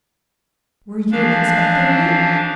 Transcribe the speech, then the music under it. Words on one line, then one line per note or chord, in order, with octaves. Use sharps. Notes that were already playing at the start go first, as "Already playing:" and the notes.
"Were you expecting me?"
E3 F3 D4 F5